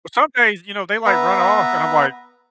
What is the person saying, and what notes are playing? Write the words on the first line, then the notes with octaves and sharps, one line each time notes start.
Well some days, you know, they, like, run off, and I'm, like
B3 B4 E5 A#5